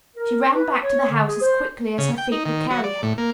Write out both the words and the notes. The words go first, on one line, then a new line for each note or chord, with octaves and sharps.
She ran back to the house as quickly as her feet would carry her.
A#4
B4
C#5
D3
G#4
C5
C#3
G5
D#4
D#3
F#3
D5
A2
A#3